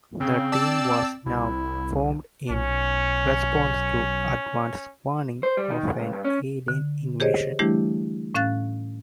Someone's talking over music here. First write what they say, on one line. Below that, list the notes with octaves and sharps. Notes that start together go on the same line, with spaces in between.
The team was now formed in response to advance warning of an alien invasion.
C#3 C4
D5 A5 E6
C2 E4
B1 C#4
C5
G3
D#3
E2
C#2
G2
C#4
D3
G4 G#4 C5 C#5 D#5
E3 G3 A3 D4 E4 G4
A2 C#4 F5 F#6 A6